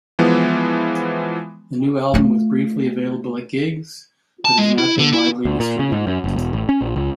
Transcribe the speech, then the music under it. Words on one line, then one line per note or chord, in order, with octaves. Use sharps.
The new album was briefly available at gigs, but has not been widely distributed.
E3 F3 G#3 B3
A3 F4
A5
G#3
E4
D3
E4
D2
A#2
C#3
G#2
F#2
F#1
E1
A1
C#4
A#1
C#2